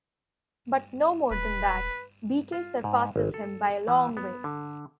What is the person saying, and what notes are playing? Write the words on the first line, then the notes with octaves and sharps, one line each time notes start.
But no more than that; Beecke surpasses him by a long way.
D#1 B4
F4
G#2
G#1
A4
E3
B3
D3